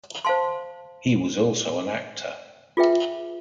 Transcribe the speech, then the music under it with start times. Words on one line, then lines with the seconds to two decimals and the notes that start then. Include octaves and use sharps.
He was also an actor.
0.25 C5 F5 A5 C6
2.77 F4 G#4 B4 E5 G5